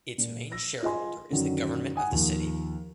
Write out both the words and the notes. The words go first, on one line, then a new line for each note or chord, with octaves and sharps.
Its main shareholder is the Government of the City.
A#2
E6 A#6
F4 G#4 D#5 G#5 C6
F#2 D3 D#3 F#3
F#5 G#5 D#6
D#2 F3